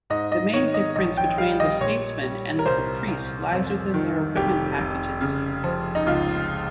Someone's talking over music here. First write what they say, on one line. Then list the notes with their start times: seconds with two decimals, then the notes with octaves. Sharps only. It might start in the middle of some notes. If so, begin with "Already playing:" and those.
The main difference between the Statesman and the Caprice lies within their equipment packages.
0.10 G#2 D#5
0.32 D#5
0.53 D#3 C#5
0.74 D#5
0.96 A#1 D#5
1.17 G5
1.38 G3 F5
1.60 D#5
1.80 A#2 C#5
2.23 G3
2.59 A#4
2.66 C2 C5
3.08 C2
3.51 F2
3.94 D#3
4.37 F1 G4
4.78 F1
5.21 C#3
5.64 F3
5.95 D#4
6.06 C#2 F4